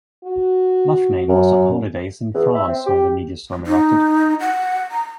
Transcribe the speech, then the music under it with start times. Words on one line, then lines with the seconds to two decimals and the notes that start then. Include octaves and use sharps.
Loughnane was on holidays in France when the media storm erupted.
0.24 F#4
1.29 F#2
2.35 E2
2.55 E5
2.68 C4
2.86 G4
3.67 D#4
4.40 F#5
4.91 A#5